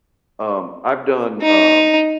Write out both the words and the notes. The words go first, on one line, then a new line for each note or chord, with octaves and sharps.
Um, I've done, um
D#4